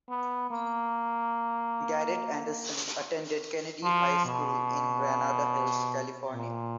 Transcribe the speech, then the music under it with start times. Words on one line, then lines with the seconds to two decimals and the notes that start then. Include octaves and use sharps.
Garret Anderson attended Kennedy High School in Granada Hills, California.
0.09 B3
0.50 A#3
3.83 F3
4.25 B2
6.33 A#2